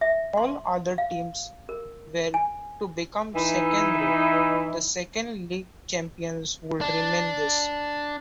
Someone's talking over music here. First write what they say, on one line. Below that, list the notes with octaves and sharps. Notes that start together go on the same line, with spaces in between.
All other teams were to become second rate; the second league champions would remain this.
E5
C6
F5
A#4
G#5
E3 D#4 E4
D4